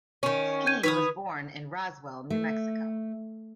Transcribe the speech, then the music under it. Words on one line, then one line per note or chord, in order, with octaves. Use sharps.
Skeen was born in Roswell, New Mexico.
D#3 C#4
G6 G#6 D#7
D#3 B4 C#5 D#6
A3